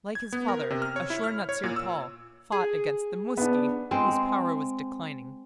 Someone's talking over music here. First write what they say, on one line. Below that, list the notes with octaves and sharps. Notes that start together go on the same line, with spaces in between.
Like his father, Ashur-natsir-pal fought against the Muski, whose power was declining.
G#6
B3
A#4
C3
F6
C#5
E4
F6
C#5
A#2
E6
G#4
B3 D4
G#3 C4